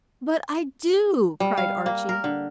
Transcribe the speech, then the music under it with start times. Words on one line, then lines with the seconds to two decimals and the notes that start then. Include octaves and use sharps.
"But I do," cried Archy.
1.40 G3
1.57 F5
1.86 A#3
2.09 A#4
2.24 D3